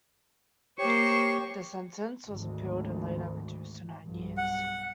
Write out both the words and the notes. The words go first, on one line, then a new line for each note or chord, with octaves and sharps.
The sentence was appealed and later reduced to nine years.
A#3 G4 C5 C#5 C#6
G#1 D2
B1 G2
F#5